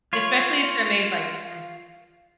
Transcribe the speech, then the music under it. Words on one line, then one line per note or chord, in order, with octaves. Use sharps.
especially if they're made by J from J
F4 C#5